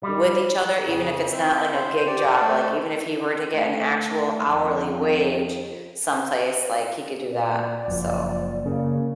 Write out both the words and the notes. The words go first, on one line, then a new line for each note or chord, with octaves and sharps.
with each other, even if it's not like a gig job. Like, even if he were to get an actual hourly wage someplace, like, he could do that. So
G3
F2 C#3
C4 E5
C5
G4 D5
A3
A3
F2
A#2 D5
F#1 F#2 F3
C#3 A#3